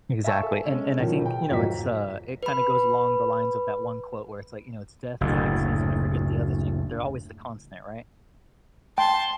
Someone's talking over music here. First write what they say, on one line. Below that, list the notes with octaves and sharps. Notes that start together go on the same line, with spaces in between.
Exactly, and and I think, you know, it's, uh, it kinda goes along the lines of that one quote where it's like, you know, it's, "Death, taxes" And I forget the other thing, but they're always the constant, right?
E5 F5 G#5 A5 C#6 E6
A4
G#3 C#4
B2 D#3 F3 F#3
G5
F1 G#2 F3 F#3 F#4 B6
B4 B5
F#1 D2 A2
G5 A5 C6